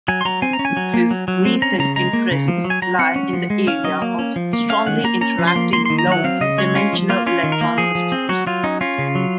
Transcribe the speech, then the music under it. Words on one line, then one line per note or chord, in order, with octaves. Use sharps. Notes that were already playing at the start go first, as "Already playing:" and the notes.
His recent interests lie in the area of strongly interacting low-dimensional electron systems.
F#3 G#5
C6
F#3 A#5
C4 G#5
A#5
C#4
G#5
F#3
A#3
F#3
F#3
C4
C#4 A#5
C#3 A#5
G#3 A#5
A#3
C#3
F3
F#3
G#5
F#3 A#5
C4 F#5
C#4
F3
G#3
C#4 F5
F#3 D#5
A#3
C#4
F3
A#3
C#4 F5
D#3 F#5
A#3 A#5
C#4 A#5
F3
C6
A#3
A#3 C6
D#3 C6
A#5
F#3 F#5
C4 F5
C#3 D#5
G#3 C#5
C#4 F4
F3
A#3 F4
C#4 F4
D#3
A#4
A#3
F3 G#4
F3
C4
F#3 F#4
F#3 F4
C#4 D#4
C#4 F4
C#3
F#3